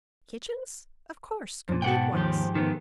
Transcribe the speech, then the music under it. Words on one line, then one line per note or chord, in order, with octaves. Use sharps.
"Kitchens?--of course--complete ones."
F2 A#2
G#2 B2 A4 F#5 G5
D#2 G#2 F3 G4
D#3 A3 B3